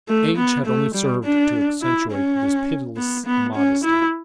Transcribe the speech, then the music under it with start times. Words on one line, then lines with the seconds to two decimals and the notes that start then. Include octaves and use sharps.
Age had only served to accentuate this pitiless modesty.
0.08 A3
0.37 B3
0.66 A3
0.95 G3
1.24 D4
1.82 E4
2.11 C#4
2.97 B3
3.26 B3
3.55 C#4
3.84 E4